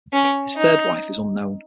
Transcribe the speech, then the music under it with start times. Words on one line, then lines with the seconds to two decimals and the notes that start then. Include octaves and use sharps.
His third wife is unknown.
0.13 C#4
0.56 D#4